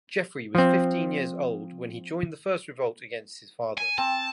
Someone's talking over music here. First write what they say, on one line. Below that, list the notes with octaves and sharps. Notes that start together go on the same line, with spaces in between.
Geoffrey was fifteen years old when he joined the first revolt against his father.
F3 C4
G#5
C4 A5